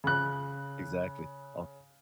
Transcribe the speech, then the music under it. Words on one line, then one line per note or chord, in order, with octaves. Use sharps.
Exactly, o
C#3 F#6